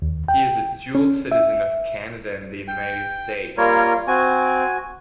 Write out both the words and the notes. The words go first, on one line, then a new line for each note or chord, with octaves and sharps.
He is a dual citizen of Canada and the United States.
D#2
G5
C#4
E5
G5
G3 A#3 F4 A#4 C#5
C4 F#4 G#5